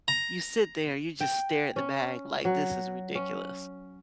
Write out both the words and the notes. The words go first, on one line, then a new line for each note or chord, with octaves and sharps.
you sit there, you just stare at the bag like, "This is ridiculous."
A#5
G5
C#4
F#3
C#4